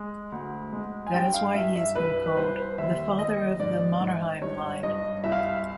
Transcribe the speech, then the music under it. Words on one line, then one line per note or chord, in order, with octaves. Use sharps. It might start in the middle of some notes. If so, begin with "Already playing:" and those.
That is why he has been called ""the father of the Mannerheim line"".
Already playing: G#3
D2
G#3
G#5
G2 G5
F5
G2 E5
E5
C2 B4
B4
C2 C5
D#2 E5
D#2 D#5
G#2 D5
G#2
G2 C#5
G2 D#5
C2 E5
F5
E5